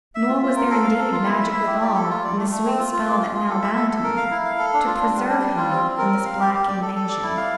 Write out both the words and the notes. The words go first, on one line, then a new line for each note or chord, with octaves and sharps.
Nor was there indeed magic withal, in the sweet spell that now bound him, to preserve him, from this black invasion.
E5
F4
F4
A#4
A4
F5
A4
F4
E4
E5
E4
G4
D5
A4
F4
D5
A3
A3
C4
F4
F4
A#3
F4
F4
A4
E5
A4
A4
A#4
F5
E4
F5
A4
D4
F4
D4
G3
D4
G3
F4
C4
C4
A#4
C4
F5
G4
G4
D5
A4
A4
D5
E4
F5